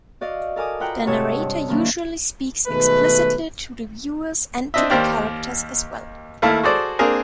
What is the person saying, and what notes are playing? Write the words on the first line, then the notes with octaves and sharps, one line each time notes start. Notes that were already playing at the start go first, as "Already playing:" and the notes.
The narrator usually speaks explicitly to the viewers and to the characters as well.
F#4 D5 D#5 F5
A4 A#4 G#5 D6 D#6
F4 B4 F#5 G5 A#5
G#2 C3 C#5 A5 D#6 E6
G2
D#3 F3 F#3 A#3 D4 E4
B2 D#3 G#3 A3 B4
C4 D4 D#5 E5
D#2 G4 A#4 C5 D5 G5
D#2 A3 E4 F5 A5
F#4 G#4 A4 C5 D5
A#3 C4 D4 G#4 A#4 G#5